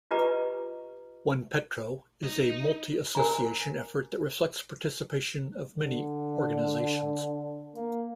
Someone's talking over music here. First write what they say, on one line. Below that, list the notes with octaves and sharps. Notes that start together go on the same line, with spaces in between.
OnePetro is a multi-association effort that reflects participation of many organizations.
F4 G4 B4 D#5 A#5 D6
D#4
A#4 G#5 A#5
D3
A#3